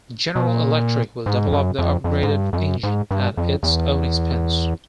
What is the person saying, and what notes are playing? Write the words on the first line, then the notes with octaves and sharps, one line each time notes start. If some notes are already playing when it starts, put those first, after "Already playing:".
General Electric will develop the upgraded engine at its own expense.
B2
A#2
G#2
F2
F#2
F2
F2
G#2
G2
F2
F#2
G#2
G2
F2
E2